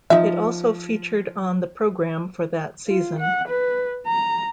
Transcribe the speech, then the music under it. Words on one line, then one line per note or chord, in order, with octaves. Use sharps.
It also featured on the programme for that season.
F3 D#4 E5
F4
F#5
B4
A#5